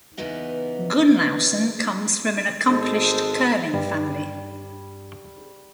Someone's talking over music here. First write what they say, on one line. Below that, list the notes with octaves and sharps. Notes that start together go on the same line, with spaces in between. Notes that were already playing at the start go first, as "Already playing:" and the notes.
Gunnlaugson comes from an accomplished curling family.
E2 C#3 E3 B3 D#4 F#5
G#1 G#3 A4 C5
G2 G3